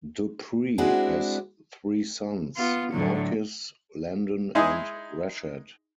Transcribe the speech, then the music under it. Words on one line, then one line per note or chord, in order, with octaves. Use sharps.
Dupree has three sons, Marquez, Landon and Rashad.
G#3 C4 D4 E4 F#4 G#4
B3 F4
A2 D3 F#3
G#3 D#4 E4 G#4